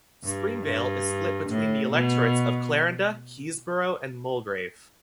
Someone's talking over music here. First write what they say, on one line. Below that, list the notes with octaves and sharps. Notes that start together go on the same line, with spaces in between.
Springvale is split between the electorates of Clarinda, Keysborough and Mulgrave.
G2
G2
A2
B2